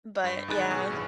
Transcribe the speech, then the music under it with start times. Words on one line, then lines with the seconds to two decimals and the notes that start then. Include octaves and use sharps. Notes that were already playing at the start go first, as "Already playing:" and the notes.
But yeah.
0.24 G2
0.48 G#1 D#4 G#4 B5 F#6 A6
0.70 B2 G#4 C#6
0.91 A1 G2 E3